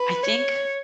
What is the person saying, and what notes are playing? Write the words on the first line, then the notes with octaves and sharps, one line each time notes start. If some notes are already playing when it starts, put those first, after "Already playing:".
I think
Already playing: B4
C#5